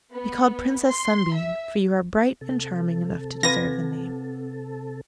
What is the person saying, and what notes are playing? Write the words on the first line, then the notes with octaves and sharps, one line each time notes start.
Be called Princess Sunbeam, for you are bright and charming enough to deserve the name.'
B3
C6
E5
C3 A4
C4 F4 B4 G#5 A#6